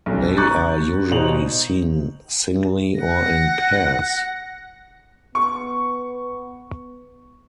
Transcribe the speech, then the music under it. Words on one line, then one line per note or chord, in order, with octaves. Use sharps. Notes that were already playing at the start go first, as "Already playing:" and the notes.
They are usually seen singly or in pairs.
B1 C#3
A#5 C#6 F#6 G6 A6
B2 D#4 C5 F7 F#7
F#5 A#6
B3 C#6